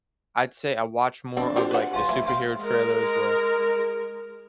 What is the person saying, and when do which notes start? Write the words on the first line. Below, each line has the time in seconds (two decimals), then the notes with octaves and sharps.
I'd say I watch more of, like, the superhero trailers, where
1.37 C4 D4
1.56 F4 G4 C5
1.71 B4 F#5
1.93 C#4 F4 C5
2.09 A3 E4
2.26 C5 F5 G5
2.60 G#3 A#4